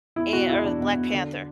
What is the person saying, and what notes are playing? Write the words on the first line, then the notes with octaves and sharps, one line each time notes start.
and or Black Panther.
E2 E4
B2 F#4
E2 E4
E2 D4
B2
B2
D3